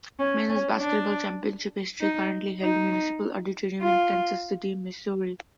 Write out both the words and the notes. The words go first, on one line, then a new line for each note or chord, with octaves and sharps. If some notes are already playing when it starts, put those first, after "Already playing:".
Men's Basketball Championship History; currently held Municipal Auditorium in Kansas City, Missouri.
C#4
C#4
D4
D#4
D#4
F4